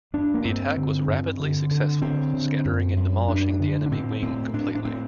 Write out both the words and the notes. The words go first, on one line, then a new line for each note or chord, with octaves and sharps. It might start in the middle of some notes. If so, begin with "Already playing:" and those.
The attack was rapidly successful, scattering and demolishing the enemy wing completely.
G2 D4
A#3
G2 C4
D3
G2
D3
D3
D3 C4
D3
F#2
F#2
F#2 D4
D3
D4
A2 C4
A2 C4
A2 D4
D4
A2 C4